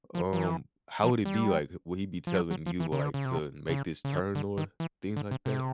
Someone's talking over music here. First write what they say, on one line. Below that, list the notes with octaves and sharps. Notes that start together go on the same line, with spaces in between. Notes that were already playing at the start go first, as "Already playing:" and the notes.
Um, how would it be like? Eh, will he be telling you to, like to make this turn or things like that?
F3
F3
E3
F3
G3
F3
F#3
F#3
F3
E3
C#3
D3
C#3
C3
C#3
C#3
D3
D3
D#3
E3
D3
C3
C3